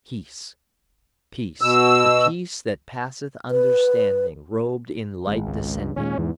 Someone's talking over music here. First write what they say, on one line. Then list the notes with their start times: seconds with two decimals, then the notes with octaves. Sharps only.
Peace! peace!--the peace that passeth understanding, robed in light descending! . . .
1.61 B2 E6
3.51 B4
5.27 G#1 E2 G#3
5.46 C#2
5.78 G2
5.96 D#2 A#2 G#3 C#4
6.18 E2 G#2 E3